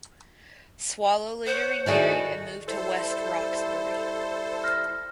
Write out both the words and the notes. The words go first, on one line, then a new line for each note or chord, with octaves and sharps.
Swallow later remarried and moved to West Roxbury.
C5 C#5 F#5
D#3 E4 F#4 G#4 A4 D5
G3 E4 A4 C5
F6 A#6